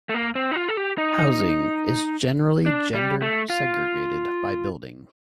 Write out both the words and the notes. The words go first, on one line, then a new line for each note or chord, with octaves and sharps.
Housing is generally gender-segregated by building.
A3
A#3
C4
D#4
F4
A4
G4
D#4
D4
G3
A3
F4